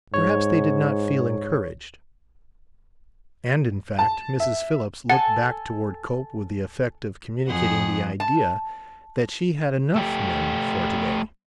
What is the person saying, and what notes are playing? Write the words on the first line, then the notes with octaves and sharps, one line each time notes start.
Perhaps they did not feel "encouraged." And in fact Mrs. Phillips looked back toward Cope with the effect of communicating the idea that she had enough men for to-day.
G#2 C#5
A5
E5
A4 F#5 G#5 A5
F2 G#4 F#5
A5
A3 G4